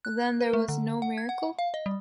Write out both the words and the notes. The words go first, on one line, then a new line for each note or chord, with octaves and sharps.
Then there was no miracle?
F#6
B4
A3
D3
F#5
G#6
F#5
F5
D#5
G3